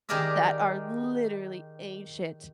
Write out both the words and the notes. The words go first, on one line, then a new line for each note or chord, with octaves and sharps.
that are literally ancient.
D#3 G4 G#4 A#4 D5 E5